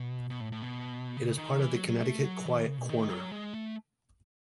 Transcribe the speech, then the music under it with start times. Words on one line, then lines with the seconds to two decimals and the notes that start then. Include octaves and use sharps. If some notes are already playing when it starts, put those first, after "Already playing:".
It is part of the Connecticut Quiet Corner.
Already playing: B2
0.30 B2
0.41 A2
0.52 A2
0.62 B2
1.17 C#3
1.38 D#3
1.60 E3
1.74 F#3
1.88 F#3
2.02 A3
2.25 F#3
2.46 E3
2.57 D#3
2.68 C#3
2.78 B2
2.89 D#3
3.10 F#3
3.31 G#3
3.54 A3